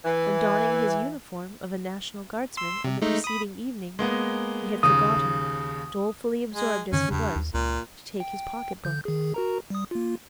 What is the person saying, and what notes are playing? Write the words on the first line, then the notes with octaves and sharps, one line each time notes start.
When donning his uniform of a National Guardsman on the preceding evening, he had forgotten, dolefully absorbed as he was, to take his pocket-book.
E3
C6 E6
C3
G#3 A3 D#4
B5 D#6
G#3 A#3 B3
D#2 C#3 D#6
G#3
F#2 D3 D#3 C#4
E2 G2 C#3
D#2
C#2 A#2
G5
D3 G6
D#3 G#4
F#4 A#4 A#5
G3 D#6
A#3 F4